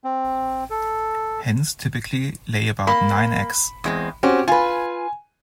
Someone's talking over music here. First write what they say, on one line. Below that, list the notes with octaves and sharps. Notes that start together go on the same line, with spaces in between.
Hens typically lay about nine eggs.
C4
A4
A#3 B5
E2 G#3 C4
C4 C#4 F#4 G4
F4 B4 G#5